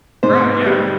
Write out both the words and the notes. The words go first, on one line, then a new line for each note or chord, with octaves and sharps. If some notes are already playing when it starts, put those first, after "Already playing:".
Right, yeah.
G#2 C5
B3
G3